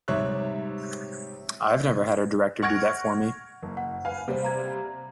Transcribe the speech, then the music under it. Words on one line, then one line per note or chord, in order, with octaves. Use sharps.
I've never had a director do that for me.
G#2 C3 G3 C#5 E5 F#6
F#5 C#6 F6 G#6 A#6 D7
F#1
F#5
B4 F5 G#5
C3 G3 C4
F5 A#5 G#6